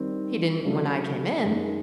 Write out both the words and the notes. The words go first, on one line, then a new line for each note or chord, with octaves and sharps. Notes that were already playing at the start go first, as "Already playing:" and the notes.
"He didn't when I came in."
Already playing: D#3 G3 C4
C#3 F#3 A3 D4
F#2 D#3 G#3